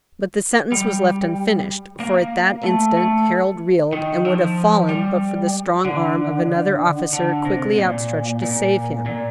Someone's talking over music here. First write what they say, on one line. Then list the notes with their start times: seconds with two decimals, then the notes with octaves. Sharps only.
But the sentence was left unfinished; for at that instant Harold reeled, and would have fallen but for the strong arm of another officer quickly outstretched to save him.
0.72 G3
2.00 A#3
2.64 A3
2.97 A3
3.93 D#3
4.25 F3
4.89 G3
5.85 D3
7.13 D3
7.45 C3
7.78 A#2
8.42 A#2
9.06 A#2